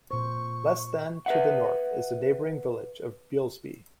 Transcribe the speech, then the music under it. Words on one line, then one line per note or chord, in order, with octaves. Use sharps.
Less than to the north is the neighbouring village of Beelsby.
A#2 C5 C#6
B4 E5 F#5